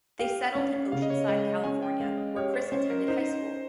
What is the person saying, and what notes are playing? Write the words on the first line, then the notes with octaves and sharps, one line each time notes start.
They settled in Oceanside, California, where Chris attended high school.
G4 F5
C#4
C#3 F5
D#5
C#5
G#3 D#5
C#4 G#5
G5
G#3 F5
D#5
G4 C#5
C5
C#5
C#4 C5
A#4
D#4 C5